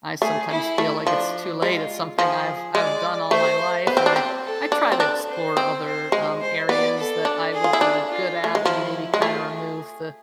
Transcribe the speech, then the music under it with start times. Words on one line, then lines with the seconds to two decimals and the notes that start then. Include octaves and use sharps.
I sometimes feel like it's too late. It's something I've I've done all my life, and I I try to explore other, um, areas that I would be good at, and maybe kinda remove the
0.22 A3 G#4
0.50 E4
0.78 A3
1.07 F3 D4
1.62 G#3 F4
2.19 F3 G#4
2.75 G#3 D5
3.31 A3 C5
3.87 B3 C5
3.97 C4
4.06 D4
4.16 C4
4.44 A4
4.72 D4
4.92 C4
4.99 D4 B4
5.29 C5
5.57 C4
5.85 C5
6.12 G#3
6.41 C5
6.69 B3 D5
6.98 A4
7.25 D4
7.53 G#4
7.64 F4
7.73 E4
7.81 D4
8.09 F4
8.44 A3
8.55 G#3
8.66 F3 E4
9.14 G#3
9.22 A3 F4
9.50 G#4